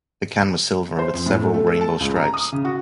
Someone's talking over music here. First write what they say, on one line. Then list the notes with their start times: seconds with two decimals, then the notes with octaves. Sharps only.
The can was silver with several rainbow stripes.
0.99 C5
1.14 F2
1.26 A2
1.41 A3
1.54 A3
1.67 A4
1.81 A5
2.00 C#2
2.16 A#5
2.34 D#6
2.52 C#3
2.65 F#4